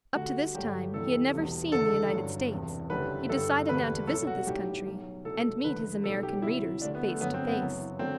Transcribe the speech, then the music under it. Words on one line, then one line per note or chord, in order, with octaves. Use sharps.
Up to this time he had never seen the United States; he decided now to visit this country and meet his American readers face to face.
D2 D3 G3 F#4
G1 G2 D3 F#3 G4
E2 C3 E3 G3 A4
E1 E2 B2 G3
F#1 E2 D3 A4
G1 G2 F#3
E1 E2 C3
F#1 F#2 D3 G3 B4
G1 G2 D3 G3 A4
E1 D2 D3 G3 B4
C2 B2 F#3 A4
F#4
B1 A2 G3 G4
B1 B2 F#3
C2 B2 F#3 A4
F#1 E2 D3 B4
B1 B2 F#3 A4
G4
D2 C3 F#3 E4
D2 D3 G3 D4
B3
A3
G1 F#2 D3 F#3 B3
C4
B3
F#1 F#2 E3
D3 F#3 C4